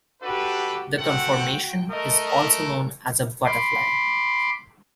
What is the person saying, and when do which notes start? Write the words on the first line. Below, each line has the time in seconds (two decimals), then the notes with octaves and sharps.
The conformation is also known as a "butterfly".
0.23 D4 F#4 G4 A4 B4
0.99 A3 C4 F#4 F#5 G5
1.90 A3 A#4 D#5
3.45 B5 C6 D6